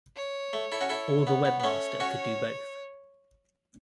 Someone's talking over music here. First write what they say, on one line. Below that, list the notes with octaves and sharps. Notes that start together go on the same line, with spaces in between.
Or the webmaster could do both.
C#5
A3
E4 A4
C#4 F#4
E4 A4 C#5
B3
B3
B3
A3 C#4 C#5
C#4 F#4